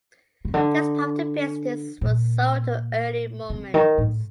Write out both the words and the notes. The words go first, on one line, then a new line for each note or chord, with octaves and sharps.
This part of the business was sold to Early Moments.
C3
D3
A#2
C3
D#3
A2